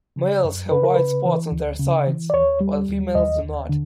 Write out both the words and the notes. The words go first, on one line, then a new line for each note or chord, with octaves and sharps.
Males have white spots on their sides, while females do not.
C#3
F#2
C#3 B4
A#4
C#3 B4
E3
D2
C#3
E3
D5
D#2 C#5
G3
D#2
D#2 D#5
D#2
D3